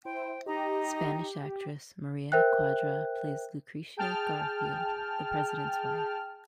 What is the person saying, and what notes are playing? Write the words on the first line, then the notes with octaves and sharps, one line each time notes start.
Spanish actress Maria Cuadra plays Lucreatia Garfield, the President's wife.
E4 C5 G5
D#4 G4 D#5 A#5
A#4 C5 E5 G5 F#6
G#4 G5 A5 F6